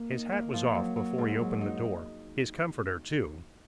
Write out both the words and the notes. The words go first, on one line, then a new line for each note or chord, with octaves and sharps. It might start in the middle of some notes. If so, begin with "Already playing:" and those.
His hat was off before he opened the door; his comforter too.
Already playing: A#3
D#4
A#3
F3
F#3
F#3
G#2
F#3
D#4